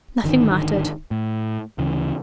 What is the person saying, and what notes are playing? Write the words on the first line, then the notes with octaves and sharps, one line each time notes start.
Nothing mattered!
G#1 D3 D#3
A2
D2 C#3 E3